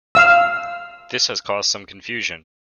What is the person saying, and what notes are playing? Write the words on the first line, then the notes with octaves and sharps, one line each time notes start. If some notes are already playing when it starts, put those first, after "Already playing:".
This has caused some confusion.
F5 E6